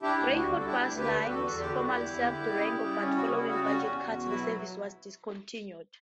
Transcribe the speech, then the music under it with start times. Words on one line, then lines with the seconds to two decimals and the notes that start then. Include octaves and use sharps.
Greyhound Bus Lines formerly served Durango, but following budget cuts the service was discontinued.
0.02 D4 E4 G4
0.18 D2
0.34 D3 F#4
0.49 G3
0.61 A4
0.65 D4 E4 G4
0.81 D2
0.96 D3 G4 B4
1.13 G3
1.28 E2 F#4 A4
1.44 E2
1.59 D3 G4
1.71 G3 F#4
1.82 E4 G4
1.91 E2
2.06 E2
2.22 D3
2.38 G3
2.54 C#3
2.69 C#3
2.85 G3
3.01 C#4
3.16 C#3 F#4
3.32 C#3 E4
3.48 G3 F#4
3.63 C#4 F#4
3.80 E2
3.95 E2
4.11 B2
4.26 F#3 E4